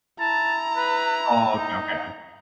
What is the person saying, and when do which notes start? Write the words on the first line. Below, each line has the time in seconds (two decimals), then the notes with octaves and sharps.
Oh, okay, okay.
0.20 E4 A5 A#5
0.76 B4
1.50 D#4